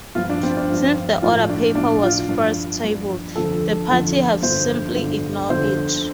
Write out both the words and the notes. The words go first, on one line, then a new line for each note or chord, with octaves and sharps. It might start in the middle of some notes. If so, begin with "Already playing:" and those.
Since the order paper was first tabled, the party have simply ignored it.
G2 F3 F4
D4
C4
D4
G2 F3
A2 F3 F4
D4
A2 F3 D4
F4
G2 F3 D4
G2 F3
F2 D3 F3 A4
F2 D3 F3
G2 D3 F3 C5
G2 D3 F3
F2 D3 F3 C5